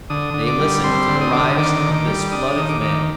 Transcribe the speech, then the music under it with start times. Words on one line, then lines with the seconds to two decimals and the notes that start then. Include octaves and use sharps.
They listened to the rise of this flood of men.
0.10 D3 D#6
0.34 D3
0.47 D6
0.60 G3
0.84 C4 C6
1.09 D3
1.21 D#6
1.33 D3 D6
1.44 D#6
1.58 D#3 D6
1.82 D#3
1.94 D6
2.07 G3
2.32 D4 D#6
2.57 D#3
2.69 D6
2.81 D#3